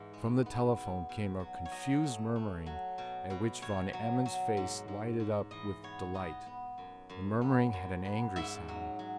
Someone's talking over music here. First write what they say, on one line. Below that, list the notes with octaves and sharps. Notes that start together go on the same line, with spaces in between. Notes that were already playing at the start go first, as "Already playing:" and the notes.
From the telephone came a confused murmuring, at which Van Emmon's face lighted up with delight. The murmuring had an angry sound!
Already playing: G#2 E3
G#3
B3
B2
B2
F#3
C#5
F#3 D#5
A3
A3
F#3
B2
B2
B2 C#5
F#3
F#3
G#2
G#2
G#2
E3 D#5
B3 C#5
B3 D#5
B3
F#2
F#2
B3
F#2
B3
G#2 E5
F#3
F#3